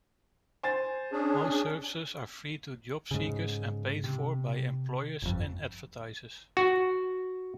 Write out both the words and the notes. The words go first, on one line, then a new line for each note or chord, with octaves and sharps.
Most services are free to job seekers and paid for by employers and advertisers.
C5 G#5 A6
C#4 D4 G#4
G#2 C#3
C3
G1 F2
F#4